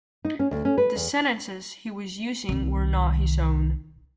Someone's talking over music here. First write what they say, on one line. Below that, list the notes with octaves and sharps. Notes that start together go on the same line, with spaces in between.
The sentences he was using were not his own.
D#4
C#4
D2
C#4
B4
E2
C2 D#3